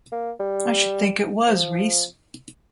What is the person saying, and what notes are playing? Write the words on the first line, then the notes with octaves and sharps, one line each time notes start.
I should think it was, Rhys.
A#3
G3
F3